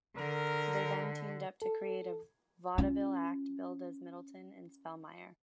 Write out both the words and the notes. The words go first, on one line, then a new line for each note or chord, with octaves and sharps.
They then teamed up to create a vaudeville act billed as Middleton and Spellmeyer.
D3 A#4
A4
C#4 F4